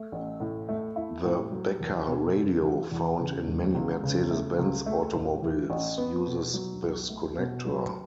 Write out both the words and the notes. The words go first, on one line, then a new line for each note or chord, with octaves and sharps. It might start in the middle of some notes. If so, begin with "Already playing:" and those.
The Becker radio found in many Mercedes-Benz automobiles uses this connector.
Already playing: A3
A1
A2
A3
E4
A2
F#3
E2
B2
F#1
E3
E2
C#3
E1
C#2
C#3
A3
C#2
A3
A2
E3
A1
B3
B2
F#3
B1
A3
B2
F#3